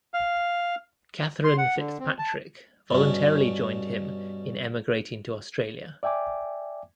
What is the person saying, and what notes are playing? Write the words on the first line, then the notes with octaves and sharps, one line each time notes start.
Catherine Fitzpatrick voluntarily joined him in emigrating to Australia.
F5
C6
F#5
D3
C4
A5
G2 B2 C#4
D5 E5 G5 G#5 D6